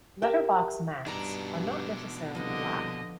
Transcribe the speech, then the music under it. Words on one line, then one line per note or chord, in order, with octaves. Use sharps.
Letterbox mattes are not necessarily black.
G4 A#4 E5
G2 B2 D4 D#4 A#5
C2 D3 F3 B4 D#5